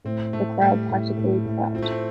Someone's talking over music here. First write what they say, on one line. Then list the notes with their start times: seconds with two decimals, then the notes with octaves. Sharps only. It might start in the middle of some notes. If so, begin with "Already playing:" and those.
The crowd practically clapped!
0.05 A2 C4
0.33 A2 A3
0.61 A2 G3
0.90 A2
1.17 A2
1.45 A2
1.74 C4 F4
1.82 A3
1.91 C4